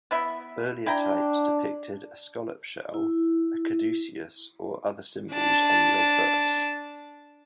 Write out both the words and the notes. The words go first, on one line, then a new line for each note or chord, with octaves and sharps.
Earlier types depicted a scallop shell, a caduceus, or other symbols on the obverse.
B3 E4 E5
D4 E4 G5 A#5
E4
D4 A5